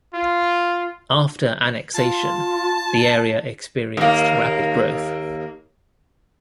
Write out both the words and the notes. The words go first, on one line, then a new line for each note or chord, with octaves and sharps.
After annexation, the area experienced rapid growth.
F4
F4 A5
D#2 A#3